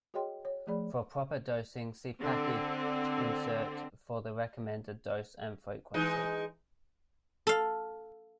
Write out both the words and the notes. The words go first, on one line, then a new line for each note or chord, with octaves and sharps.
For proper dosing, see package insert for the recommended dose and frequency.
F#4 G#4 C#5 D#5 G5 C6
C#5
F3 A3 G#4 D5 B5
D3 C4
E3 G#3 D#4
A4 F5